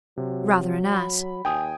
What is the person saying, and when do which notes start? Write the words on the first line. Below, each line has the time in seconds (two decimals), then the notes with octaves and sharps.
Rather an ass.
0.17 C3 F#3
0.95 B5
1.45 D#2 G5 G#5 D#6